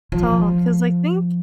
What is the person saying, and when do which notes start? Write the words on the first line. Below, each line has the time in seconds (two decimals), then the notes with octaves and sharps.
talk “'cause I think
0.12 F3